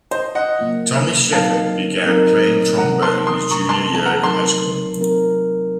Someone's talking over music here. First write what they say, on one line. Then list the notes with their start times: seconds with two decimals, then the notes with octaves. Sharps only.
Tommy Shepard began playing trombone in his junior year in high school.
0.11 C5 D#5
0.35 D#5 F#5
0.59 C#3 F#3 A#3 C#4 F4
1.32 F#3 C4 D#4 A#4 F5 A5
2.05 F#3 C4 D#4 A#4
2.78 C3 D#3 A3 F#5 A#5
3.02 A5 C6
3.27 C6 D#6
3.50 C3 D#3 A3 A#5 C#6
3.69 A5 C6
3.94 A5
4.05 F#5 A#5
4.24 F#3 C4 D#4 A#4 A5 C6
4.96 F#3 C4 D#4 A#4